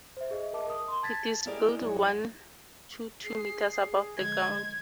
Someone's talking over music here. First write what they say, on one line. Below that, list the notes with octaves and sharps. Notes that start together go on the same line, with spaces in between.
It is built one to two metres above the ground.
C5 E5
G#4 D#5 E5
A#4 D#5 A5 D6
A#4 D#6
C6
A5 G#6 A6 B6
E4 G4 G#4 A#4 D5 D#5
F#2 D#4 C#5
G#4 C7
D3 F3 G#3 G#6